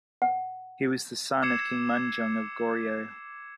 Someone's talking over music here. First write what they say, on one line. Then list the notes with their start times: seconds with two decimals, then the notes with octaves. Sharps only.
He was the son of King Munjong of Goryeo.
0.22 F#5
1.42 D6 E6 G#6 C7 C#7 E7